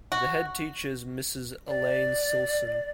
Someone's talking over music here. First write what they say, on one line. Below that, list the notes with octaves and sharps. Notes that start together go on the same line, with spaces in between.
The head teacher is Mrs Elaine Silson.
F#4
D5